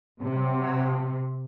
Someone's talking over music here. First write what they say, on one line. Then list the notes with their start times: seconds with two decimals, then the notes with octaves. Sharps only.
Oh, wow.
0.22 C3